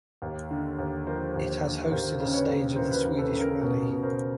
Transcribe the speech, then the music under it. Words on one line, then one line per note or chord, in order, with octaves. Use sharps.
It has hosted a stage of the Swedish rally.
D#2
D3
D#2
F3 A#4 C5
D#2
D3
D#2 A#4 C5
C#3
B4 C#5
D#2
E3 A#4 C5
B4
A#4
D#2
A4 B4
C#3
A#4
B2 A#4
B2
A#4 C5